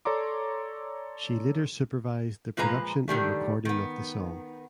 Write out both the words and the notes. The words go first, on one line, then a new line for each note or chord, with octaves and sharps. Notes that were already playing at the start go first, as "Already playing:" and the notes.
She later supervised the production and recording of the song.
A4 C#5 D5 A#5 C6 D6
A#2 F3 G#3 B4 A#5
D3 D#3 G3 A3
D#3 B3